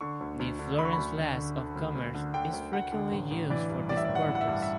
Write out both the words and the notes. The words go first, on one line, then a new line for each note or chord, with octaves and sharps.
The Florence flask of commerce is frequently used for this purpose.
D3 C#6
D2
D2
D3
D3 B5
C#6
B5
D2
D2
D3
D3
D2
D2
D3
D3 G5
D2
D2 F#5
D3
A1
A1
E3 D5
G2
A1 D5
E5
D5
A1
F#5
E3
F#5
E5
G2
E5